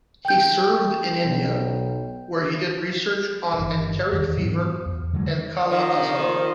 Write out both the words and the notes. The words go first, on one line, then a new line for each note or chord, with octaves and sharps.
He served in India, where he did research on enteric fever and kala-azar.
G5 G6
B1
G1 E3
E2 D#3
G#2 E3 F#3 B3
E2
D3 E3 F#3 G#3
D#3 F3